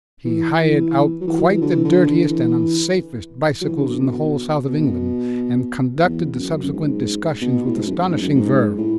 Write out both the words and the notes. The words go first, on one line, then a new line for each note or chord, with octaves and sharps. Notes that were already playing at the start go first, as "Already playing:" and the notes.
He hired out quite the dirtiest and unsafest bicycles in the whole south of England, and conducted the subsequent discussions with astonishing verve.
E3
E3
F#3
E3
F#3
E3
D3
E3
D3
E3
F#3
E3
D3
B2
B2
E2
E2
F#2
F#2
G#2
B2
A2
G#2
F#2
G#2
F#2
G#2
A2